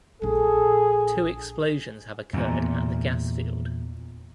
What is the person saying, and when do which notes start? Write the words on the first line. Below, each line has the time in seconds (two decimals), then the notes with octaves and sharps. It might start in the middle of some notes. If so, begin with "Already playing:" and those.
Two explosions have occurred at the gas field.
0.22 A#1 D4 G#4 A4
2.33 E2 A#2